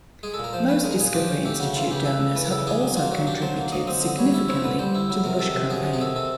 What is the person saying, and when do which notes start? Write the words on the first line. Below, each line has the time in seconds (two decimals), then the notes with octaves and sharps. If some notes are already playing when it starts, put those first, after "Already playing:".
Most Discovery Institute donors have also contributed significantly to the Bush campaign.
0.23 G#3 G#4
0.34 A4
0.39 A#2
0.44 A#4
0.53 F3 C5
0.68 C#4 B4
0.84 G#3 A#4
0.99 A#2 G#4
1.14 F3 G4
1.29 C#4
1.45 A3 G4
1.60 C#3 F#4
1.76 E3 F4
1.91 C#3 G4
2.05 A3 A4
2.20 C#3
2.35 E3 B4
2.45 A#4
2.51 C#3 A4
2.67 D4 G#4
2.81 F#3
2.97 A#3 F4
3.12 F#3 F#4
3.27 D4 G4
3.42 F#3 C5
3.57 A#3
3.72 F#3 D#5
3.87 C4 D#5
4.02 D3
4.18 G3 C#5
4.34 E4
4.48 C4 C#5
4.63 D3 B4
4.79 G3 C5
4.95 E4
5.10 F#3
5.24 C3 A#4
5.39 D#3 A4
5.54 C3
5.70 F#3 G#4
5.86 C3
5.93 G#4
6.01 D#3 A4
6.16 C3 A4